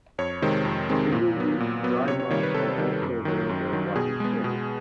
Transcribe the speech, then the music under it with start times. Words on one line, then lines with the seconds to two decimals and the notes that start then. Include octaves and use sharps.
Single-use dry mops are also available and widely sold.
0.18 F2 C#5
0.42 C3 D#3 G#3 C4
0.65 F2
0.89 C3 D#3 G#3 C4
1.12 A#2
1.37 F#3 B3
1.60 A#2
1.83 F#3 B3
2.08 C3 C#5
2.20 C#5
2.30 D#3 G3 C#5
2.43 B4
2.54 C3 A4
2.78 D#3 G3
3.02 F#2
3.25 D#3 F#3
3.49 F#2
3.73 D#3 F#3
3.96 B2 G#4
4.20 G#3 B3
4.44 B2